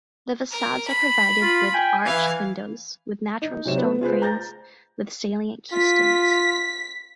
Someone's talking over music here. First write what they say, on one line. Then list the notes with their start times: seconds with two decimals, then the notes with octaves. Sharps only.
The facades are provided with arched windows with natural stone frames with salient keystones.
0.51 A#4
0.88 B5
1.41 F4
1.73 G5 G#5
2.05 E3 F5 G#6
3.42 D#4
3.65 C3 F#3 C5 C#5 E7
3.78 B3
4.01 F4 G#4 B4 C5
4.22 A#5 G6 A6 A#6
5.73 F4 B6